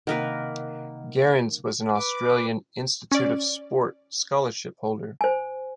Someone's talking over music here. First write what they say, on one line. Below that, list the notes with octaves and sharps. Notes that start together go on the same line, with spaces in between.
Gerrans was an Australian Institute of Sport scholarship holder.
C3 D#3 A#3 A#4 B4 D#5 F#5
B4 D6
C#4 D5
C5 G#5